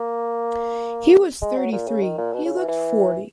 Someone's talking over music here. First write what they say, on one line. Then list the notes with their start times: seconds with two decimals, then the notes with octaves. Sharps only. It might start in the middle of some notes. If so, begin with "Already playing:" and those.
He was thirty three; he looked forty.
Already playing: A#3
1.42 G#3
1.57 F#3
1.72 A#2
1.88 C#3
2.03 D#3
2.18 A#2
2.33 B2
2.45 C#3
2.58 E3
2.68 E3